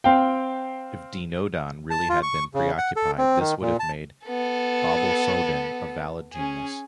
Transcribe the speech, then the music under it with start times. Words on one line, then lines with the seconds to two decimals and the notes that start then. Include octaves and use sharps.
If "Deinodon" really had been preoccupied, this would have made "Aublysodon" a valid genus.
0.04 C4 F5 G5
1.91 A5
2.09 F4
2.23 C#6
2.55 C#3
2.78 F#5
2.96 A4
3.18 C4
3.39 D#3
3.62 A#2
3.80 A5
4.26 B3 A4
6.33 C#4 G#4